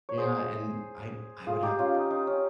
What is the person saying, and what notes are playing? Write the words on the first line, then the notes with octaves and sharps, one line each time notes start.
yeah, and I I would have
C#5
G#4 C5
F4 G#4
D#4 G4
C#4 F4
D#4
D#4
C#4